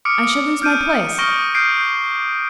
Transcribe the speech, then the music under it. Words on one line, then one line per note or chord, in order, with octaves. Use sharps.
'I shall lose my place.
D6 D#6 F6 C#7 D7
F6 G6 D7 D#7
C#6 D#6 F6 A#6 D7 G7
D#6 F6 G6 C7 D7